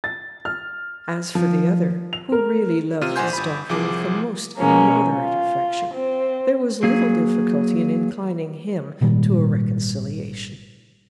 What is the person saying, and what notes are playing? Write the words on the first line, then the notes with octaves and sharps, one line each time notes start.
As for the other, who really loved his daughter with the most immoderate affection, there was little difficulty in inclining him to a reconciliation.
A6
F6
F3
F7
A#4
C3 F4 F6 D#7
A#1 C5 F#5 G#5 C6 G6
G1 B5
C2 F3 G#4 D6
B2 G#3 A#3 C#4
F4
C4
F#3 A#3 G#4
G#1 A#2 D#3 G3